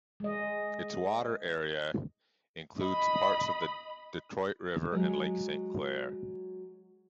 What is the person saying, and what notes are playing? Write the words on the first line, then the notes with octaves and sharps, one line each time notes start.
Its water area includes parts of the Detroit River and Lake Saint Clair.
G#3 D#5
D#5 B5
F#3 G#3